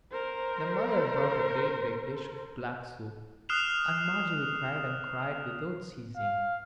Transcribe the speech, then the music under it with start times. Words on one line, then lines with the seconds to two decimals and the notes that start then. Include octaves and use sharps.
The mother brought a great big dish of black soup, and Margery cried and cried without ceasing.
0.11 A#4 C5
3.49 D#6 F6 F#6 C7 E7 F7
6.17 F5